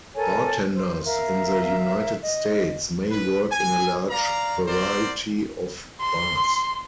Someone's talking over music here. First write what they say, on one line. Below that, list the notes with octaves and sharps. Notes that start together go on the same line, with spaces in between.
Bartenders in the United States may work in a large variety of bars.
A4 A#4 C#5 G#5
C5
A#4 E5 F5
D#5
B4
G#5
D5 F5 A#5
B3 A#4 C5 D5
C6